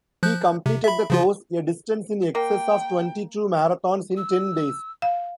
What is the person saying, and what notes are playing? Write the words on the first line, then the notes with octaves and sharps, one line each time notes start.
He completed the course, a distance in excess of twenty-two marathons, in ten days.
F3 F#6 G6
C3
E5 B5
C#3 F3 F4
A#3 G5
E6
F5